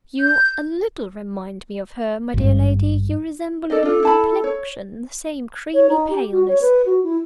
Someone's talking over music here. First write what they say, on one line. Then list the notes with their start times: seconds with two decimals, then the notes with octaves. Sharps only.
You a little remind me of her, my dear lady--you resemble her in complexion: the same creamy paleness.
0.21 G6
2.34 G#1 G2
3.70 A4 D5 D#5
3.83 D4 F4 A4
4.03 E4 A5 B5
4.44 C#5
5.74 C#5
5.89 D#4
6.10 G4
6.32 F#4
6.48 C#5
6.61 B4
6.86 F#4
7.04 E4